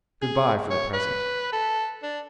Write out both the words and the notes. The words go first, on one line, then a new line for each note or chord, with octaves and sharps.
Good-bye for the present!
G#4
C#5
B4
A4
D4